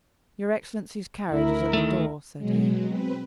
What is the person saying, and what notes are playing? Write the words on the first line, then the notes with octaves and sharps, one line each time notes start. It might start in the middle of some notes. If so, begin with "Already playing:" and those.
"Your excellency's carriage is at the door," said he.
D2 E4 A#4
D#3 A3
B2 F#3 G#3
C4 B4